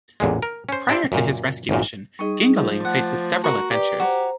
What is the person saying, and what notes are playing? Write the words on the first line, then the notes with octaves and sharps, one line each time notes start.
Prior to his rescue mission, Gingalain faces several adventures.
A1 E2 A#2 G#3
A#4
C#4 C5
D4 E4 G4 C5 D5
F#2 A#2
G#1 F#2 A#2
G3 D#4 G#4 D#5 C#6
F3
A3 D5 F#5 A5 C6
F#4 A#4 C#6
G4 B4 D5
F#4 C5 C#5 A#5